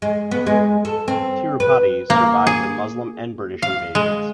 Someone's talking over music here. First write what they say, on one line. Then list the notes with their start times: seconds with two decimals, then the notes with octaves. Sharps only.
Tirupati survived the Muslim and British invasions.
0.02 G#3
0.31 B3
0.46 G#3
0.85 A4
1.08 C4
1.60 B4
2.10 A#3
2.47 G#4
3.62 F5
3.95 G#3